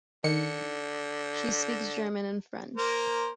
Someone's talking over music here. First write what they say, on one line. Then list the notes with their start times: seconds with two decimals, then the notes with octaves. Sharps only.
She speaks German and French.
0.24 D3 D#3 C#7
2.77 A#3 A#4 C5